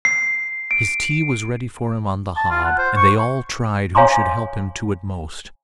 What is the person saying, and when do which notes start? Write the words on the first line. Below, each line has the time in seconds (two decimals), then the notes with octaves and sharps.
His tea was ready for him on the hob, and they all tried who should help him to it most.
0.05 C7
0.71 D7
2.37 A5
2.51 F4
2.64 F#5
2.78 C5
2.96 C#6
3.95 C#5 F5 G#5 A#5 C6 D6